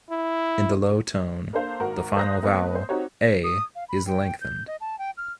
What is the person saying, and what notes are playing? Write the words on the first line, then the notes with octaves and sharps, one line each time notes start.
In the low tone, the final vowel "a" is lengthened.
E4
A#3 D4 A4 C5 F5
G#1 F#4 A#4 F#5
C5 F5 A#5 D#6 F#6 A#6
A3 B3 C4 B4
C5
C4 D#4 F#4 G4 C#5
D#6
F5
B5
G5
G6
D#5
A5
G5
F6